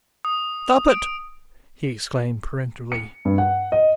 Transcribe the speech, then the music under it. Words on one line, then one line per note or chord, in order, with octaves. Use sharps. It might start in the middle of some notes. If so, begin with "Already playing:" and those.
"Stop it!" he exclaimed peremptorily.
D#6
D7
C#7
G2
F#5
D#5